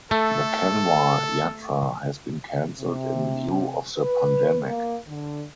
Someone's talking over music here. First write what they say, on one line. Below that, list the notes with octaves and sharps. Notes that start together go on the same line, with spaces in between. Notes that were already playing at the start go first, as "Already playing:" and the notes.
The Kanwar Yatra has been cancelled in view of the pandemic.
A3 A4
C3
B4
A#3
D3